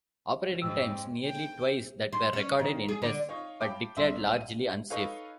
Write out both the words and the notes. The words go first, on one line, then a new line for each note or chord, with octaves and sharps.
Operating times nearly twice that were recorded in tests, but declared largely unsafe.
F2 G#2 G5 E6
G5
C5
C#4
D#3
G#4
D3
D#4 F4 C#5
F5 G5 A5 B5 D6
C2 E5 C6
D#7
D#4 F4 A4 B4 C#5 F5